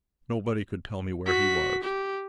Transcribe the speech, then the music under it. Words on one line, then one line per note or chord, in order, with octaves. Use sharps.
Nobody could tell me where he was.
F#4 B6
G4